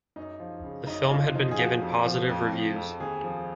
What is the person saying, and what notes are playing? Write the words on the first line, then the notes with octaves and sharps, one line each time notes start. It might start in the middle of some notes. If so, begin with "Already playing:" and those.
The film has been given positive reviews.
F#2 D#4
F3
C#3
F#2 D#4
F#2 F4
F3 D#4
G#4
F3 F#4
F2
F3
F2
F3
F2
D#2 G#4
F3